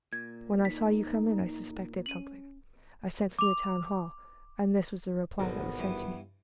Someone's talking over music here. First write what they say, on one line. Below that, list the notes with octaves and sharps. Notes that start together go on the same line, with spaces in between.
When I saw you come in I suspected something; I sent to the town-hall, and this was the reply that was sent to me.
A#2 G#6
D#4 B6
C#4 D#7 F#7
D6 F7
G#1 B2 D3 B3
G2 E3